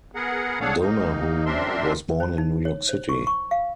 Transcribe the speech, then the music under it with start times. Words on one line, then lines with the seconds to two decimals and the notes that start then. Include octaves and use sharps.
Donahue was born in New York City.
0.15 B3 G#4 A#4 F#5
0.61 D4 G#4 A4 C#5 F5 F#5
0.79 A#3 D#4
1.46 F#2 C4 D4 A#4 E5 C6
2.20 C5
2.38 D#4
2.65 C#5
2.89 C5
3.09 C#6
3.27 C#6
3.51 F5